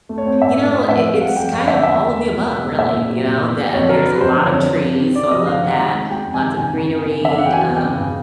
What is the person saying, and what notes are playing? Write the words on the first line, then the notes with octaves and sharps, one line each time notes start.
You know, i it's kind of all of the above, really, you know? That there's a lot of trees, so I love that, lots of greenery, um
A3
C#5
C4
A2 E5
A3
A2
F2 E5
C4
F5
G3 F#5
F2 G5
F2 F5
D3 E5
E2 E5
E2
E2
B2
G#3
E2
A#2 E5
A#2
F#3
A#2
B3
A#2
F2 C#5
F#3 A#4
F#3 B4
F2 C5
D3
C#5
F2
F3
C3
C4
C4 D5
F3 D#5
F3 F5
D#3 F#5
G#3
G#3
G#3 G5
F2
G#5
D#3
C#3 G#5
C#3
C#3
C#3
E3 E5
F5
E3 F#5
G5
F#3 G#5
E2
G5
C#3
C#3